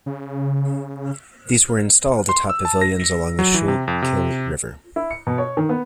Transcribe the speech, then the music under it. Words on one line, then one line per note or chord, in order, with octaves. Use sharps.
These were installed atop pavilions along the Schuylkill River.
C#3
C6
E6
A5
A#6
F#3
E3
C3
F2
C3
E4
C#7
B2
C#5
D#3
B3